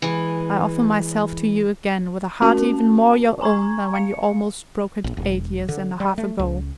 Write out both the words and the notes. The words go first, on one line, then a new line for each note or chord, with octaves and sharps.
I offer myself to you again with a heart even more your own than when you almost broke it, eight years and a half ago.
E3 G#3
A3 C#4 F#4 A#4 A5
G#5 A#5 C#6 G#6
F5 C#7
A#1
E1
D3
G3
A3
C#2